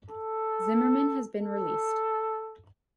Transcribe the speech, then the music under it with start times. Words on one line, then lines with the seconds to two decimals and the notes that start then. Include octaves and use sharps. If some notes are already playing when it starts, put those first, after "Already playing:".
Zimmermann has been released.
0.11 A4
1.41 A4